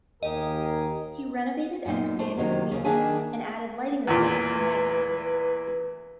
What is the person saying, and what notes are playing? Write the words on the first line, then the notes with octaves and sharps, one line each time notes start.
He renovated and expanded the field and added lighting equipment for night games.
D#2 D#4 G4 G#4 A#4 D#5
F#2 A#2 D#4 F4
A3 D4 C5
C3 D#3 F#3 A#3
D#2 C#3
D#3 A#3 D4 G#4 E5 G#5
E2 A#2 B4